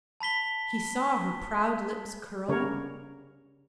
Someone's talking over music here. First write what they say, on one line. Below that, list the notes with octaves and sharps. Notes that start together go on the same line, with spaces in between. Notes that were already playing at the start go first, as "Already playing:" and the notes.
He saw her proud lips curl.
A5 B5 B6 G7
C#3 G3 A#4 C#5